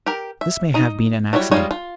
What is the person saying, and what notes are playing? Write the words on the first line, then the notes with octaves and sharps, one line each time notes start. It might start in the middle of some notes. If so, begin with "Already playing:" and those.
This may have been an accident.
G4 A#4
E5
D#4 A#5
F#3 G3 E4 C#5
G3 G#3 D#4 F4 C#5
F4